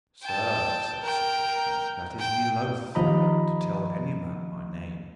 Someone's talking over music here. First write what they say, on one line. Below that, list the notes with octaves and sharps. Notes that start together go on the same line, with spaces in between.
Sir, said Sir Tristram, that is me loath to tell any man my name.
G5 A5
A#4 G5
G5
D#2 F3 D#5 A#5 B5